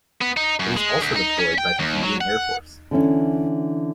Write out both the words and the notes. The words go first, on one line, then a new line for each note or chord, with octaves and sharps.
It is also deployed by the Indian Air Force.
B3
D#4
F#2
G#3
D2
D#4
C#4
G5
D#2
F#3
F#5
D3 E3 C#4